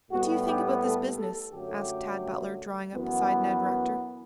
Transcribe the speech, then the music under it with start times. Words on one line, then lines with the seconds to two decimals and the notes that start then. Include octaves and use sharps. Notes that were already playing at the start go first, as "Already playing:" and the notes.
"What do you think about this business?" asked Tad Butler, drawing up beside Ned Rector.
0.11 A2 G3 B3 F#4
0.47 G4
0.82 A4
1.17 A4
1.53 F#2 D3 F#3 A3 G4
2.95 F#2 E3 B3